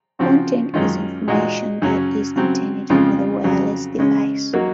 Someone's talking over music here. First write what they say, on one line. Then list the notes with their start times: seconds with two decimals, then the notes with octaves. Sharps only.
Content is information that is intended for the wireless device.
0.19 C#3 F3 C4 F#4
0.74 F#2 D#3 G#3 C#4 F4
1.28 A#2 G#3 D#4 F#4
1.82 F#2 C#3 F#3 C#4
2.36 C#3 F#3 C4
2.90 F2 C#3 G#3 C4 F4
3.44 F2 C#3 F#3
3.99 C#3 G#3 C#4
4.53 F#3 A#3 D#4 F#4